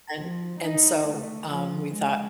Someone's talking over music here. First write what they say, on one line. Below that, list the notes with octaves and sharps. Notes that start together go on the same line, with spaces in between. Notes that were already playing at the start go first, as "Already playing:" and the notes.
and and so, um, we thought,
F3
D#4
A3
F3
G#3